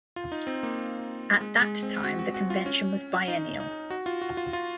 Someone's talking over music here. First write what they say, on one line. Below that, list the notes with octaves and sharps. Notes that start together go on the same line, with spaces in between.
At that time the convention was biennial.
F4
D#4
C4
A#3
G#3
G#3
C4
F#4
F#4
F#4
F4
C#4
D#4
D#4
F#4
F4
F#4
F4
F4